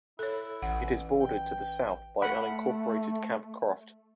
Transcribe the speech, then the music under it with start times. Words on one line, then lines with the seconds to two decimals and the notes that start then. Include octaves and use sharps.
It is bordered to the south by unincorporated Camp Croft.
0.19 E4 A4 C#5
0.62 A1 F#5
1.21 G5
2.22 A3 F#5 B5